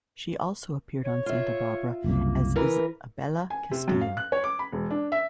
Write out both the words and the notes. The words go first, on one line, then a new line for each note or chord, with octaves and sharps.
She also appeared on "Santa Barbara" as Isabella Castillo.
C#5
F4 E5
F#1 C2 A#3
E3 A#4 B4
G#5
C3
F#2
F5
F#6
C#5
D6
B5
E1
D4
E5